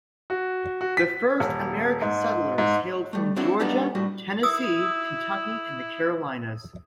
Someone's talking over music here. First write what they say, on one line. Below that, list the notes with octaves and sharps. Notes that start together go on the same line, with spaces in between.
The first American settlers hailed from Georgia, Tennessee, Kentucky, and the Carolinas.
F#4
F#4
B6
D#1
G#2
G#2
G3 A3
C4 D4 E4 F#4 C#5
G3 A#3 B3 D4 D#4
A2 G3 F#4
E4 D#6 E6